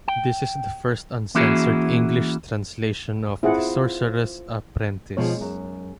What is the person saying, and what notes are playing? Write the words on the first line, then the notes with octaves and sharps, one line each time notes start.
This is the first uncensored English translation of "The Sorcerer's Apprentice".
G5
E3 A#3 C#4 E4 F#4 G#4
C4 E4 F4 G#4 F#5
B2 F3 G#3 C#5
F#2